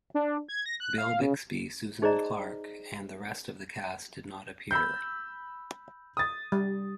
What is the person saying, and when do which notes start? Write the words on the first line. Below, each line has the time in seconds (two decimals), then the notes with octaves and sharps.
Bill Bixby, Susan Clark, and the rest of the cast did not appear.
0.14 D4
0.49 G#6
0.66 A#6
0.80 F#6
0.98 F5
1.21 C#3
2.02 D#4 G#4 C5 D5 D#5 A#5
4.71 B5 E6 G6
6.17 D#6 A6
6.52 G3